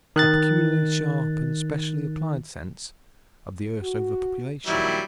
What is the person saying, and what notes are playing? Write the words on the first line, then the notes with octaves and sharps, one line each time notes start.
A peculiarly sharp and specially applied sense of the earth's overpopulation.
D#3 F#6 A6
F#4
A#1 D#3 F#3 G3 E4